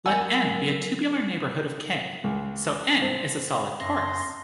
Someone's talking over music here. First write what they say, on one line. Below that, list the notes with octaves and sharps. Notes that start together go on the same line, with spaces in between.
Let "N" be a tubular neighborhood of "K"; so "N" is a solid torus.
F#3 A#4 F#5 G#5 E6
C#2
C4
F#2 C6 A#6